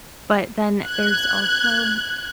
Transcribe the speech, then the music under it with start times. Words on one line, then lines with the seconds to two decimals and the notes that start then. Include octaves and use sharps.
but then there's also
0.87 F#6 G#6